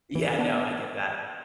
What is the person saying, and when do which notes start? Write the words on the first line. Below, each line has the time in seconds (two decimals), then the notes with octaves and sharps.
Yeah, no, I get that.
0.15 E3
0.39 B3 D4